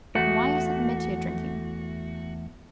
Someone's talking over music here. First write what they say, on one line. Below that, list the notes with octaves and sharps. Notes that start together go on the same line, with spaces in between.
And why isn't Mitya drinking?
E2 A3 F#4